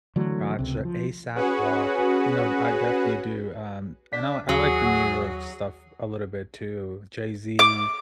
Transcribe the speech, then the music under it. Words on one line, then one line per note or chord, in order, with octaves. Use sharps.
Gotcha, Aesop Rock. You know, d I definitely do, um, and I l like the New York stuff a little bit too, Jay-Z,
D3 E3 F#3 A3
C#2 C3
F3
C#4 F#4 G#4 B4 F#5
D4 B6
D#2 F#3 F#4 G#4
D6